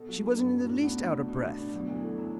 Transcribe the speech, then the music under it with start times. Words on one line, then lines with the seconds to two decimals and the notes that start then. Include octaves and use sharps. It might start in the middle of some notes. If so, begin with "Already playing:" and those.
She wasn't in the least out of breath.
Already playing: B2 A4
0.09 F#3
0.23 D4
0.38 F#2
0.54 F#3
0.61 A2
0.68 D4
0.84 B3
0.98 D4
1.13 F#4
1.28 B2 D4
1.43 D4
1.50 B2
1.58 D4
1.73 B2 F#3
1.88 D2
1.95 E3
2.03 A3
2.18 F#3